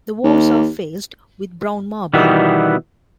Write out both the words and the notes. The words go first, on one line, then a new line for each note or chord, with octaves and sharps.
The walls are faced with brown marble.
D#2
B2 D#3 E3 G3 B3